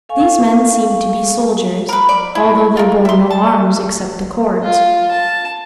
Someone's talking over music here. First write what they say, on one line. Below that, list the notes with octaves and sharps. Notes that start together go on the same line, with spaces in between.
These men seemed to be soldiers, although they bore no arms except the cords.
A4 F5 G#5 C#6
A#4 B4
D5
E4
F4 A#4
E5 C6
A5
F4
A5